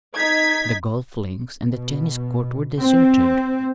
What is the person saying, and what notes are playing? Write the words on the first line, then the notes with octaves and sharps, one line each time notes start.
The golf links and the tennis court were deserted.
D#4 G#6 B6
B2
C4